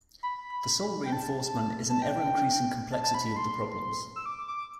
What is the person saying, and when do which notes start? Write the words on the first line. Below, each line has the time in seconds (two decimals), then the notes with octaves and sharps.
The sole reinforcement is an ever-increasing complexity of the problems.
0.23 B5
1.06 G5
1.12 A5
1.90 A5
2.02 G5
2.91 A5
3.03 A5
3.14 B5
3.26 B5
3.36 C6
4.16 E6
4.26 D6
4.48 D6